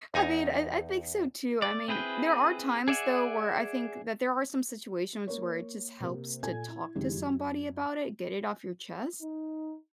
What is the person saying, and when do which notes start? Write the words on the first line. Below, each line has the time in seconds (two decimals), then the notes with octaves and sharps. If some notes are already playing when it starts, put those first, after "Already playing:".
I mean, I I think so too, I mean, there are times, though, where I think that there are some situations where it just helps to talk to somebody about it, get it off your chest,
0.14 E2 D#4 G#5 A#5
1.62 D5
1.88 C4 E4 G#4 B4 G5
2.88 G#4 D5 E5 F#5 G#5
5.27 A#3 C#5
6.00 C3 A#3
6.43 A#2 A4 G#5 G#6
6.68 E4
6.95 F#1 D#3 G#3 E4 G4
7.17 F#2
9.21 D#4